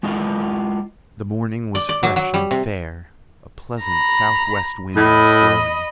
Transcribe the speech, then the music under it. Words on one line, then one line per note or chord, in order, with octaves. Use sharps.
The morning was fresh and fair; a pleasant southwest wind was blowing.
G#3 E4 F4 D#5
D5
D5
F#3
F#3
G3
C3
A#5 B5
A2 D#5 B5